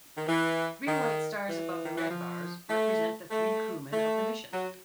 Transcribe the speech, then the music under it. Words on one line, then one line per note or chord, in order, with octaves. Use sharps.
Three white stars above the red bars represent the three crewmen of the mission.
D#3
E3
D#3
E3
D#3
E3
F3
A3
A3
A3
F#3